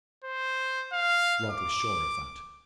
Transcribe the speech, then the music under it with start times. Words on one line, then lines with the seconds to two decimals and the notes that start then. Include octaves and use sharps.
Rod was sure of that.
0.24 C5
0.93 F5
1.51 D6